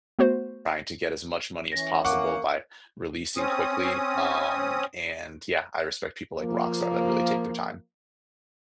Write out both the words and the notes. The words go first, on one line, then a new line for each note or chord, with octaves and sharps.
trying to get as much money as possible by releasing quickly. Um, and, yeah, I respect people like Rockstar that really take their time.
A3 B3 F#4 C5
E3 C#4 A#6
A#3 F#5 C#6 D6
C4 C#4 D#6
F3 A#3